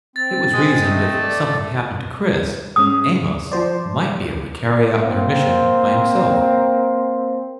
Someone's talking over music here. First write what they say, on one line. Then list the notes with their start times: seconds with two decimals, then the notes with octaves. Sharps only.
It was reasoned if something happened to Chris, Amos might be able to carry out their mission by himself.
0.16 C4 A6
0.53 G#3 C4 D#6
0.86 A3 D#5
1.23 D5
2.76 G#2 G#3 C#4 D#6
3.52 F3 C5 D5 E5 G5 A5
5.04 A#3 C4